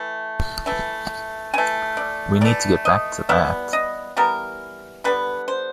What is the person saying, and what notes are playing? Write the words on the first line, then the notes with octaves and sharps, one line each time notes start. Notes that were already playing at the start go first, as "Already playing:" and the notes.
We need to get back to that.
Already playing: E3 A3
E3 A3
E3 A3 G#5
D5
E3 A3 D5
D#5
E3 G3 B3 E5
D#5
E3 G3 B3 A#4
D3 G3 B3 B4
C5